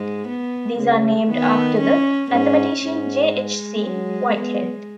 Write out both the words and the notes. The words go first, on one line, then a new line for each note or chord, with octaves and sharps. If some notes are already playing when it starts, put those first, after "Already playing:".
These are named after the mathematician J. H. C. Whitehead.
Already playing: G#2 G#3
B3
C#3 G#3
D#3 B3
C#4
G#2 C#4
G#2 C#4
G#3
F#3
B3